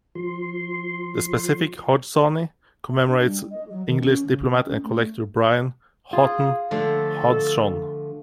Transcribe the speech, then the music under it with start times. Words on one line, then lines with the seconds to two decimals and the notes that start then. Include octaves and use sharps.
The specific "hodgsoni" commemorates English diplomat and collector Brian Houghton Hodgson.
0.15 F3 C6
2.90 E5
3.08 D4
3.24 G3
3.50 D#5
3.70 F#3
3.86 D#3
4.00 C#4
4.27 C#3
4.51 C4
4.65 C#4
4.83 A3
6.13 F4 G#4
6.71 D3 F3 A3 A4